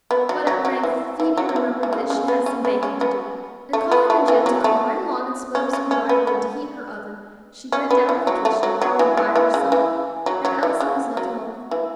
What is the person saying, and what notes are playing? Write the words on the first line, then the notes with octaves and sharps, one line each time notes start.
But at length Phoebe remembered that she had some baking to do, and calling on Jim to come right along and split up some dry wood to heat her oven, she went down to the kitchen followed by her son, and Elsie was left alone with her nurse.
B3
F#3
F#3
F#3
E3
E3
F#3
F#3
E3
E3
C#3
C#3
B3
C#4
B3
C#4
B3
A3
B3
A3
E3
F#3
A3
C#4
C#4
C#4
B3
B3
C#4
B3
E3
F#3
A3
F#3
F#3
E3
E3
E3
C#3
E3
F#3
F#3
E3
C#3
F#3
E3